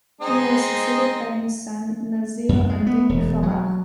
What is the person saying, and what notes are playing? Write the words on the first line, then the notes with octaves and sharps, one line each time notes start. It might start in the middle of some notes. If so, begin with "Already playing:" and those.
He was succeeded by his son Nasir-ad-Din Faraj.
G#3 C4 D#4
F#2
G#3
B3
E1
F#3